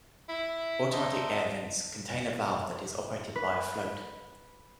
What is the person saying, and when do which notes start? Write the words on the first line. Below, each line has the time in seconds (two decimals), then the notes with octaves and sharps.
Automatic air vents contain a valve that is operated by a float.
0.29 E4
0.92 D4 D#4 E5 C6
2.13 B2
3.36 B4